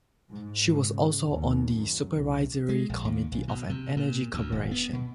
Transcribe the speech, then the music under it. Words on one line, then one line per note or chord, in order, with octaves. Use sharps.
She was also on the supervisory committee of an energy corporation.
G#2
C#3
D#2
F#2
C2
G#3
A#1
D#2
B1
B2
C3
A#2
D2
D#1
B3
B2